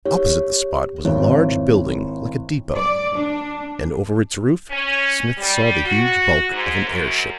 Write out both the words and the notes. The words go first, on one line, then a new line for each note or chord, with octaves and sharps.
Opposite the spot was a large building, like a depot; and over its roof Smith saw the huge bulk of an airship.
G4 C#5
G#1 E4 C#5
D5
D4
C#4
G3
F#4
G#2
F#2